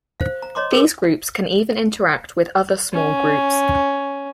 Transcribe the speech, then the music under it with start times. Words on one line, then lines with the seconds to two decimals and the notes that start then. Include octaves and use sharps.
These groups can even interact with other small groups.
0.20 C5 F5
0.42 A#5
0.55 C#5 D#5 A#5 C6 D6
0.72 G#4 A#4 B4 D6
2.93 C#4